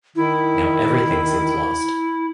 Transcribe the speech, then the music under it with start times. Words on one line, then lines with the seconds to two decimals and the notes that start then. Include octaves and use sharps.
Now everything seems lost!
0.16 D#3 E4